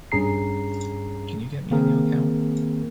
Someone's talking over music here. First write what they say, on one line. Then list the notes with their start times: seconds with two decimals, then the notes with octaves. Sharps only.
Can you get me a new account?
0.12 G2 C#4 G#4 A#5 C7
1.71 D#3 A#3 C4 G#4 A#4